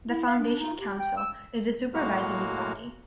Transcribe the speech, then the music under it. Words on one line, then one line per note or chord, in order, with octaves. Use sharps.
The Foundation Council is the supervisory body.
E4
F5
D4
D#4
G4
G5
E6
A2 F#3 G#3 A#3 F#4 F6